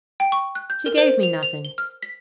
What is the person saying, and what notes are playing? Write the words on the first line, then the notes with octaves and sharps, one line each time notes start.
'She gave me nothing.
G5
C#6
F#6
G6
A#4
C5
F7
F7
G7
F6
B6